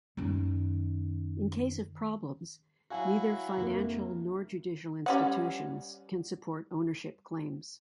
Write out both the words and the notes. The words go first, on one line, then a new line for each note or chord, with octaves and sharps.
In case of problems, neither financial nor judicial institutions can support ownership claims.
F#2 D#3
F#3 E4 F#4 F5 G#5
F1 A#3
G3 C#4 F#5